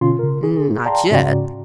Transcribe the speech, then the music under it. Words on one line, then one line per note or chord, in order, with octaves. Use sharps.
"Not yet."
B2 D3 C#4 F4 C6
C#3 A#4
G#4
D5 F5 G5 A5 A#5 C6
G#2 C#3 C#4 F#4 D5